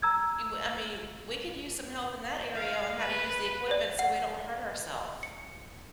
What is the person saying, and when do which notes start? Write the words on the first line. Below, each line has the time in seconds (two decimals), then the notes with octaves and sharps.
you I mean, we could use some help in that area, on how to use the equipment, so we don't hurt ourself.
0.02 A#5 E6 G#6
2.54 F5
2.98 B4
3.71 D5
3.99 F#5
5.23 C#7